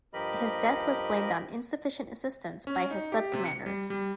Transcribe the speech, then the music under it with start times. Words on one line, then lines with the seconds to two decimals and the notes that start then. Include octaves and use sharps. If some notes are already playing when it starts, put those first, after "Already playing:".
His death was blamed on insufficient assistance by his subcommanders.
0.13 G2 F3 G4 A#4 D#5 B5
2.67 C#4
2.91 D#4
3.12 G4
3.33 C3
3.46 C#7
3.66 G3
3.90 G3